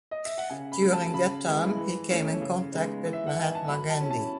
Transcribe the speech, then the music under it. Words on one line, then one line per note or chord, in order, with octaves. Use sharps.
During that time he came in contact with Mahatma Gandhi.
D#5
E5
F#5
C#3 G#5
B5
F#3 A3
A5
C#3 B5
G#3 B3 E4
E3
A3 C#4 E4
C#3
G#3 B3 D#4
E3
E5
F#5
B3 D#4 G#5
A5
F#3 B5
A5
C#4 E4
A5